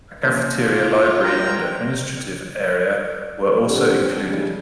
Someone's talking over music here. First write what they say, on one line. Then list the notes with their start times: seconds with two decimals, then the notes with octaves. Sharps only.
A cafeteria, library and administrative area were also included.
0.22 F3 A#3 C#4
0.60 F4
1.24 A#4 G5 A#5 C6 F6
3.67 D3 G3 C4 G4 A4
4.28 C#3 G3 G#3 D4